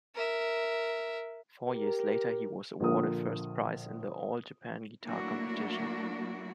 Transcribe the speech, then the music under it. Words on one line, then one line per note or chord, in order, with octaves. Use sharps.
Four years later, he was awarded First Prize in the "All Japan Guitar Competition".
A#4 E5
G4 A#4
A#1 A#2 D3 F3 A#4 D#6
F#3 A3 A#3 D4 E4 F#4